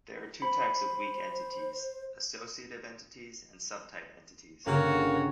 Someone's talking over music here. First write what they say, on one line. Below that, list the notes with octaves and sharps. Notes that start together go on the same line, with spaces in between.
There are two types of weak entities: associative entities and subtype entities.
C5 B5
G1 C#3 A#3 F#4 C#5 F#5